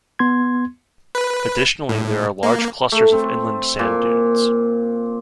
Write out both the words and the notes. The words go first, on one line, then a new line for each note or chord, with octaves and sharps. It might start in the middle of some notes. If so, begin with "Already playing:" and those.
Additionally there are large clusters of inland sand dunes.
B3 C6 G#6
B4
A2
A#3
A3
C4
A#2